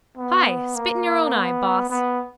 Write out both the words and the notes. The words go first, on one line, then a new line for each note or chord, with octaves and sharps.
Hi! Spit in your own eye, boss!
B3
A#3
B3
B3